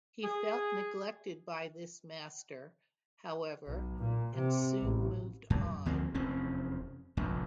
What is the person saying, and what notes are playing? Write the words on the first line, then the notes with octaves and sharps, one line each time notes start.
He felt neglected by this master, however, and soon moved on.
G#4
B1
A#2
C3
A1
F#2
D2 F3 A#3 C4
F1 E2 C4 C#4
F1 A#1 F2